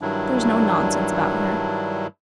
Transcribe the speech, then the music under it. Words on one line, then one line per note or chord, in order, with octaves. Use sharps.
"There is no nonsense about her."
G2 D#3 F#3 G3 D4 E4